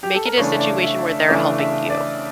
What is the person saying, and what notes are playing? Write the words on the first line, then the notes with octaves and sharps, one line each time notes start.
make it a situation where they're helping you.
G4
A4
A#4
C#3 E3 A3 D4 C#5
E5
D5
E5
E5
C#3 E3 A3 D4 E5
E5
D5